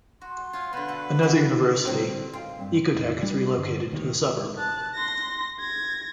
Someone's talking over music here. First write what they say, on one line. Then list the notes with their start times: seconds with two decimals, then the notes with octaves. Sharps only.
Another university, Ecotec has relocated to the suburb.
0.21 F#4 C6
0.53 F4 C#5
0.73 B2 D3 B4
0.88 F#4 A4 F#5
1.23 G#2 D3 F#4 G4
1.85 A2 D3 D#3 G3 C4
2.33 F4 D#5 G5
2.58 G2 C4
2.95 F1
3.23 G3 D4
3.57 G2 D3
3.92 D1 D#2 D#3
4.58 A5 F#6
4.95 C6 A#6
5.60 G#6 A#6